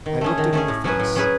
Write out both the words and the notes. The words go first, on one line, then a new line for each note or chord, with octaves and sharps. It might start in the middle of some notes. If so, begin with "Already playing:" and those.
I looked it in the face.
D#3
A3 C#4 G#4
D#3
A3 C#4 G#4
A2
F#3 C#4 G#4 B4
A2
F#3 C#4 G#4 B4